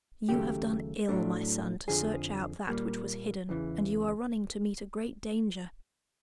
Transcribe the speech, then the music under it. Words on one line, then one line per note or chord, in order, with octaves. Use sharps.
'You have done ill, my son, to search out that which was hidden, and you are running to meet a great danger.
D#2 C#3 F#3 A3 G4
A2 F#3 A3 D4
F2 D3 F3 G#4
A#2 G3 A#3
E2 C#3 E3